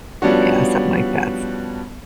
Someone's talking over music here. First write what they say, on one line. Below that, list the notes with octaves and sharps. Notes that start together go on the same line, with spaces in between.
Yeah, something like that's
F3 G3 B3 C#4 D4 F#4